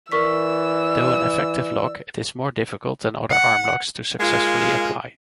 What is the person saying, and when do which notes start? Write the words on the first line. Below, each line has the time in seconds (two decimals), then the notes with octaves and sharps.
Though an effective lock, it is more difficult than other armlocks to successfully apply.
0.12 E3 A#4 D5 C#6 E6 B6
3.30 F#5
4.20 G#3 A#3 F4